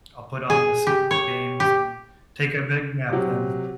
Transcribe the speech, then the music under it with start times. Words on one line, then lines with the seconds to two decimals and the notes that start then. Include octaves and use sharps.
I'll put on the se the games and take a big nap then.
0.50 G#4
0.87 G4
1.11 C#5
1.60 G4
3.09 C3 F#3